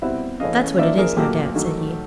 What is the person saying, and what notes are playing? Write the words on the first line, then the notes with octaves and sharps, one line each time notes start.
"That's what it is, no doubt," said he.
B2 G3 C4 E4 E5 F#5
C#3 E3 A3 C#4 D#5 F5
F3 A#3 D#4 D5 E5
G#4 A#4
A#2 F#3 A#3 G4 A4
D#3 F#3 A3